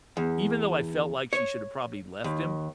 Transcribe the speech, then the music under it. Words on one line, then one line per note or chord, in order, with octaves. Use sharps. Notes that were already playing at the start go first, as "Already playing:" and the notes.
even though I felt like she should have probably left him,
E2
C#5
D#2